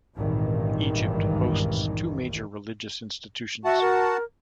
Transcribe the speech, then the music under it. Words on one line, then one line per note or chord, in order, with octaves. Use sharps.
Egypt hosts two major religious institutions.
G#1 C#2 G2 A#2 D#3 E3
F#4 E5 F#5 A5
A#4